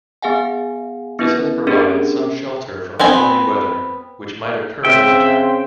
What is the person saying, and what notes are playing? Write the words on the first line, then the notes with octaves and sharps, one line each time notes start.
This has provided some shelter from stormy weather, which might occur in winter.
B3 G#4 F5 F#5 G#5
B3 C#4 E4 B4
B3 C#4 D4 G4 G#4 A#4
B3 C4 G#5
C#3 C4 E5 G5